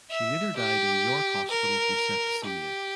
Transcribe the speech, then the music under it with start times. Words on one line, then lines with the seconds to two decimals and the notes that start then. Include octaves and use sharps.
She later died in York Hospital from septicaemia.
0.11 E5
0.57 G4
1.50 A#4
2.45 G4